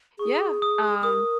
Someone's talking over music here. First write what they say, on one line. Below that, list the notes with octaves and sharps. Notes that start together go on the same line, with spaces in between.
Yeah. Um
G#4 C#6
D#6
A#4 D#6